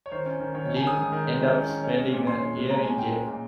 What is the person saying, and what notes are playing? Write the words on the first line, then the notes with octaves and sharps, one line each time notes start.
Lind ended up spending a year in jail.
C#5
D#3 C5
C#4
D#3
D#3 C#5
C#4 C#5
G#5
D#3 D#6
G#3 D#6
D#3
G#3
D#3
C#4
D#3
C#4
G#3
A#2
G#3 C6
C#4
G#3
G#3 A#5
C#4 G#5
A#2 G5
G#3
A#2